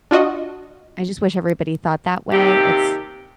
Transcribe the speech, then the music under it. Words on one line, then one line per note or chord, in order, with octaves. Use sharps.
I just wish everybody thought that way. It's
D4 F4 F#4 D#5
D#2 C3 G4